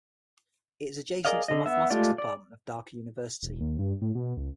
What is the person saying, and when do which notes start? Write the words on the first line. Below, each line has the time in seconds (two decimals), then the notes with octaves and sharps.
It is adjacent to the Mathematics Department of Dhaka University.
1.25 G#4 A#4 D5 D#5 F5
1.48 D3 D#5
1.66 B3 E5
1.90 G#3 A3 F4 G4 D5
2.18 D5
3.43 E1
3.61 D#2
3.79 G2
4.02 A2
4.15 B2
4.37 C#2